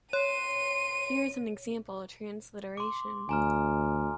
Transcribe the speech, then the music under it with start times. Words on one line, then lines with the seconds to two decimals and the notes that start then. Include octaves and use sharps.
Here is an example transliteration.
0.13 C#5 C6 D#7
2.77 C6 D6
3.29 D2 G#5 A#5 F6